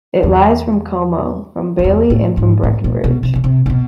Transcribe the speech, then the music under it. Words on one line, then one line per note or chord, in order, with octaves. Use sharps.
It lies from Como, from Bailey, and from Breckenridge.
E2
F2
E2
A2
G#2
A2
A#2
B2
C3
C#3
C3
A#2
B2